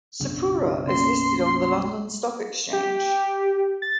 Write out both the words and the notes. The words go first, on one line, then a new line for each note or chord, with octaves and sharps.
Sepura is listed on the London Stock Exchange.
B1 F#2 C#3 D4
A#3 C#4 C6
G4
A6